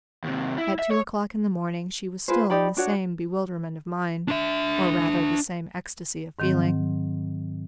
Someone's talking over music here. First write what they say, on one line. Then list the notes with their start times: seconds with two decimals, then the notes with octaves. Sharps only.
At two o'clock in the morning she was still in the same bewilderment of mind, or rather the same ecstasy of feeling.
0.24 D#2 C3
0.58 E4
0.79 E5
0.91 C#5
2.28 F4 G#4 B4 C5
2.50 D#4 G4 D5 B5
2.77 D4 F#4 C#5 F#5
4.28 D4 E5
6.39 G#2 D#3 F#3 C4